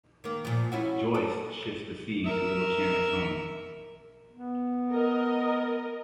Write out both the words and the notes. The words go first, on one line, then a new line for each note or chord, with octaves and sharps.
Joyce shifts the scene to Little Chandler's home.
D#3 A#3
A#2 F3
C#4 E4 F#4
A4
A#4 E5
B3
A#4 D#5